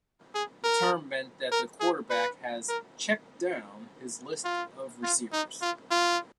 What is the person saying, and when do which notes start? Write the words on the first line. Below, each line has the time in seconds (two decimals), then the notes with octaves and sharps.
The term means that the quarterback has "checked down" his list of receivers.
0.35 G#4
0.64 A#4
1.52 A#4
1.80 G#4
2.10 B4
2.69 A#4
4.45 F4
5.03 F4
5.33 D#4
5.62 F4
5.91 F4